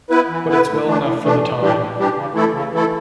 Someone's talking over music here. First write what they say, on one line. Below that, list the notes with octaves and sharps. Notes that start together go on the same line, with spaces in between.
But it's well enough for the time.
B3 E4 B4
E3
B3 E4 B4
A2
E3 A3 D4
A2
E3 A3 D4
A2
E3 G3 D4 G4
A2
E3 G3 D4 G4
C#3
E3 A3 E4 A4
C#3
E3 A3 E4 A4